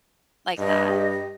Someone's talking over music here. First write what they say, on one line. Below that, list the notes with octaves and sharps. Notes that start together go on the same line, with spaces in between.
like that.
G2 D#5
G4